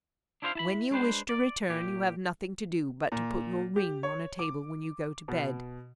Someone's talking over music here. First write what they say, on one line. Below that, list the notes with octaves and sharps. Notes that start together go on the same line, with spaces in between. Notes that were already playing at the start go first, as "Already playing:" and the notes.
When you wish to return, you have nothing to do but to put your ring on a table when you go to bed.
D4 E4 F4 C5 D5 F5
E4 A5 B5
G#3 D4 B4 C5
D5
A#2 G4
A#2
G4
C#5
D6
B2